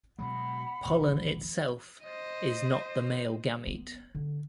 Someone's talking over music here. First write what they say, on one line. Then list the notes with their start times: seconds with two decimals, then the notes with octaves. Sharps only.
Pollen itself is not the male gamete.
0.19 B2 F#3 G#3 F#5 B5
0.85 E1 A#1 D#3
2.04 C5 D#5
3.67 B3
4.15 D3